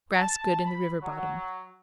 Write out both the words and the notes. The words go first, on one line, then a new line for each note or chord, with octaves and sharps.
Grass good in the river bottom.
A5
B5
F#3